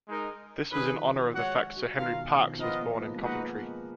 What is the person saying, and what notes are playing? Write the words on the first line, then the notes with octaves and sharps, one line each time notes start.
This was in honour of the fact Sir Henry Parkes was born in Coventry.
G#3 D#4 A#4
D#3 C#4 G#4 B4
F3
F#3
G#3 F#4 C#5 F#5
G#3
F#3
D#3 F4 A#4 F5
B2
D#3
F3
F3 B3 F4 A#4 D#5
A#3
B3
G#3
A#3 D#4 F#4 B4 D#5 F#5
B3